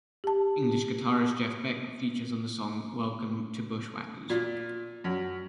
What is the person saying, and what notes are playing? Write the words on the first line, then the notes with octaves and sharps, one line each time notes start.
English guitarist Jeff Beck features on the song "Welcome to Bushwackers".
G4 A5
A#2
F#2